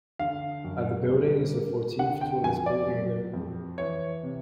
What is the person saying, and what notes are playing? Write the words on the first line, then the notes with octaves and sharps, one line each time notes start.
At the building is the fourteenth tallest building in Liverpool.
D3 F5
F#2
G3
A#3
D3 F#5
G5
F2 G#5
D5
F#3
F2
E3 C#5
C3